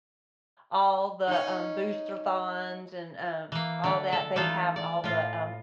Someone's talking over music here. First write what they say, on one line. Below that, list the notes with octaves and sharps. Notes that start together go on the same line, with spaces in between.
all the, um, Boosterthons and, um, all that, they have all the, um
C#4 D#4
E3 A#3
D3 A3
A4
E3 D#4 F4 A4
D5
A2 F4